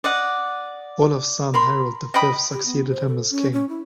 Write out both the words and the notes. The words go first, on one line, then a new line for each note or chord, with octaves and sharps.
Olav's son Harald the Fifth succeeded him as King.
D5 D#5 F#5
A#4 B5 C6
D#5 G5 B5 D#6
G4
B3
C5
A4
C#4
C#4
E4